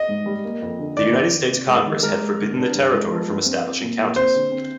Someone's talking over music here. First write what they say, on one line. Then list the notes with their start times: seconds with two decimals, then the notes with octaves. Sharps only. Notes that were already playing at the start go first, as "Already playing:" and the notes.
The United States Congress had forbidden the territory from establishing counties.
Already playing: D#5
0.09 G#2
0.26 G3
0.44 A#3
0.62 F2
0.79 D3
0.97 D#3 D5
1.15 F2
1.32 D#3
1.50 C3
1.67 G#3
1.86 D#3
2.03 G#3 A#4
2.20 G#3
2.39 D3
2.57 D4
2.75 G2
2.92 G#3
3.10 F3
3.28 G2
3.45 C4
3.63 C4
3.81 A#2
3.99 A#2
4.16 C4 C5
4.34 D3
4.52 C4